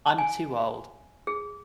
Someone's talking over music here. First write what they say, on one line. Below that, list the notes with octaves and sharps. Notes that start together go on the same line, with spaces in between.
I'm too old.
G#5
G#4